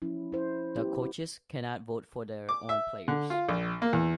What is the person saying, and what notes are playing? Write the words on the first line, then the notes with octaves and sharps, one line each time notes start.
The coaches cannot vote for their own players.
F3 C#4 E4
E4 C5
B3 E4 G4
D6
E5
D3
F4
A#1
A#3
E2